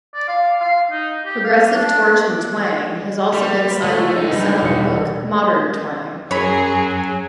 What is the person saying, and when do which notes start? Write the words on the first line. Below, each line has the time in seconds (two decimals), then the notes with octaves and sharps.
"Progressive Torch and Twang" has also been cited in the seminal book "Modern Twang".
0.15 D5
0.28 F5
0.61 F5
0.91 D#4
1.26 G4
1.44 F5
1.75 D4
3.34 G3
3.67 B4 C6
3.83 G#3 A3 D#7
4.16 C2 D#4
4.31 G3 D4 B4
4.62 E1 C#7
6.31 F#2 F#3 G#4 C#5 B5